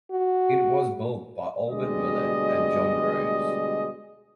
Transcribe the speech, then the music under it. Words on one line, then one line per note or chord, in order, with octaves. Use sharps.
It was built by Albert Miller and John Rose.
F#4
D2 B2 G3 G#3 D5 D#5